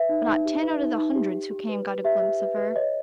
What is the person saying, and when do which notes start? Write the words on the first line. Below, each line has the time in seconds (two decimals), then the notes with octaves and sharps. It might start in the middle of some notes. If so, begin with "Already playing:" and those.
But not ten out of the hundreds who came got a glimpse of her.
Already playing: B4 E5
0.09 D#4
0.27 D#4
0.45 G4
0.62 B4
0.81 D#4
0.98 D#4
1.15 G4
1.34 G4
1.51 G4
1.69 B4
1.87 B4
2.04 G4 E5
2.22 G4
2.40 B4
2.57 B4
2.76 C#5 D#5